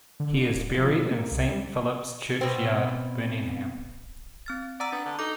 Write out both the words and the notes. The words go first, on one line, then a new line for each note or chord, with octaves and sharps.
He is buried in Saint Philip's church yard, Birmingham.
D3
D1
F3
B2
A#3
C2
G3
B2 C4
C4 F6 A6
D5 F#5 A#5 E6
B3 D4 A6
D3
D#4 A4 D6